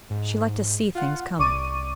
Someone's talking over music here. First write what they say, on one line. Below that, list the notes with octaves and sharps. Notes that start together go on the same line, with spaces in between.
She liked to see things coming.
G#2
F4 F#5
C2 D5 C#6 D6 D#7